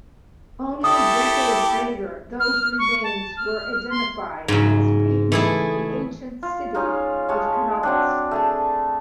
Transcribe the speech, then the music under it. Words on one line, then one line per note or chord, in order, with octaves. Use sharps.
Only decades later those remains were identified as being the ancient city of Canopus.
E4 G4 A4 D#6
F6
C#6
A5
F6
C6
G#2 C#3 F#3
E3 A3 E4 G#4
F4
G#3 C#4 D#4 F4
G#3 C#5 A5
F#3 C4 D4
A3 G#4 A5